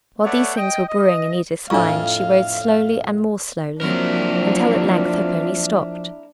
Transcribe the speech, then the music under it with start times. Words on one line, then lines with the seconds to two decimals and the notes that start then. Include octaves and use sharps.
While these things were brewing in Edith's mind, she rode slowly and more slowly, until at length her pony stopped.
0.24 A3 B3 C#5 D5 F#5
0.56 D#5 G5
0.89 D#5
1.70 F2 A2 D4 F4 F5 C#6
3.82 F3 F#3 A#3 C4 D4 E4 A#4